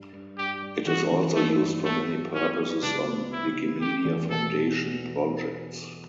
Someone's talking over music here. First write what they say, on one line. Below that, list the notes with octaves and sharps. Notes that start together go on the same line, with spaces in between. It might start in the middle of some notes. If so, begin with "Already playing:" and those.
It is also used for many purposes on Wikimedia Foundation projects.
Already playing: G2
G2
G2 G4
G3
E3 F#4
E3
G2 A3
G2
F#3 A3
F#3
B3 C#4
B3
C#2 D4
B3
B3 E4
C#2
A3 G4
E2
B2 A4
B2